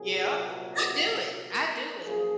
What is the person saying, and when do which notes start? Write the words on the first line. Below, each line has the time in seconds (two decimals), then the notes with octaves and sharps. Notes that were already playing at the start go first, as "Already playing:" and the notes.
yep. I do it. I do it.
Already playing: C2 A#2 F#3 A#3 G#4
0.45 F#4
1.51 A#4
2.04 F#2 F3 A#3 G#4